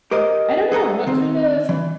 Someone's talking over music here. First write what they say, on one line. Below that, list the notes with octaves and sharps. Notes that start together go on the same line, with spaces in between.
I don't know, what kind of
G4 A#4 C5 D#5
G#4 A4 G#5 A#5
D#3 C4
E3